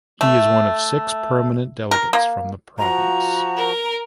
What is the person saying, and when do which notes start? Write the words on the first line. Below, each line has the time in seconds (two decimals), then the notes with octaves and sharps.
He is one of six permanent delegates from the province.
0.21 A3
1.91 A#4
2.13 A#3
2.79 F3 F#4 A#5
3.57 A#4